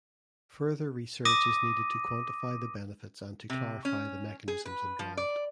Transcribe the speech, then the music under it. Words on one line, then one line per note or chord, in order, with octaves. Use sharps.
Further research is needed to quantify the benefits and to clarify the mechanisms involved.
D6 D#6 A#6 D#7
C3
C#4
G#4
B4
F3
D5